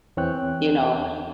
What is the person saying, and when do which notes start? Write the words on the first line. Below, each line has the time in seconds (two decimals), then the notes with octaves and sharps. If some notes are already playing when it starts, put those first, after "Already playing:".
You know,
0.17 E2 E3 C4 C#5 G5 F#6